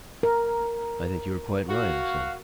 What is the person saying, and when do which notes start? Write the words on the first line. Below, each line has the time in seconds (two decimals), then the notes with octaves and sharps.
"I think you are quite right," I said.
0.23 A#4
1.69 F#4 F5